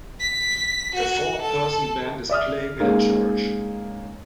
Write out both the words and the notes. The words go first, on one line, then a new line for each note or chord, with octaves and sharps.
A four person band is playing in a church.
B6
F#4
A4
D5 E5 D#6 F6
G#3 A#3 C#4 D#4 G#4 A#4